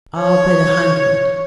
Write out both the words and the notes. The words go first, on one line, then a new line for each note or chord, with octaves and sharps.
"All but a hundred."
C#5